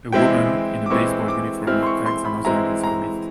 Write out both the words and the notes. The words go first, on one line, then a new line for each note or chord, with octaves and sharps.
A woman in a baseball uniform tags another with her mitt.
E3 G#3 C4 E4 G5
D6
E3 G#3 C4 E4 C#6
D6
E3 G#3 C4 E4 F6
C6
C#6
C6
B5
E3 G#3 C4 E4 A#5
A#5